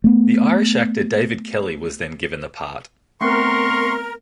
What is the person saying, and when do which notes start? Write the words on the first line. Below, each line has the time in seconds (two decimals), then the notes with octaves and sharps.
The Irish actor David Kelly was then given the part.
0.04 A3 B3
3.21 A3 B3 C4 A#4 C6 C#6